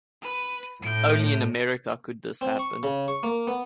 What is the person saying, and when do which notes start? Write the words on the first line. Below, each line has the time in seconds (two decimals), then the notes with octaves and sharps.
Only in America could this happen.
0.22 B4
0.82 A2 G6 D7
2.41 C4
2.59 C#6
2.83 C#3
3.08 C#6
3.23 A#3
3.47 B3